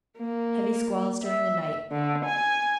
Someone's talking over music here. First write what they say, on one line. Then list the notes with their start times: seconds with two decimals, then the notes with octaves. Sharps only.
Heavy squalls during the night.
0.18 A#3
1.24 E5
1.91 D3
2.25 G#5